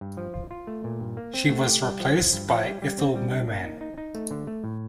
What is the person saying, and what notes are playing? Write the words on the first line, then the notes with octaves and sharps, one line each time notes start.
She was replaced by Ethel Merman.
G2
F3
F4
F4
A3
A#2
G2
A#3
C4
A3
G4
G3
F3
F3
G2
F3
G3
G3
C4
G3
D4
A#3
D#4
D#4
D#4
A3
D3
A3
A2